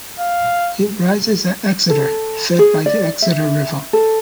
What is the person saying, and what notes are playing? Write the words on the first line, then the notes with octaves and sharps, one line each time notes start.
It rises at Exeter, fed by the Exeter River.
F5
A4
G#4
D5
E5
A4